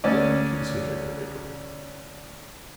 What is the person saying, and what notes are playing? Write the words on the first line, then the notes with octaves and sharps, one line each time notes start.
Sylvie considered a little.
D2 C#4 D5